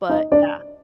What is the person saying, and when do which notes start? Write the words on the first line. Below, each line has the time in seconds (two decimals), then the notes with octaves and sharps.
but, yeah
0.09 D#4 D#5
0.32 D4 D5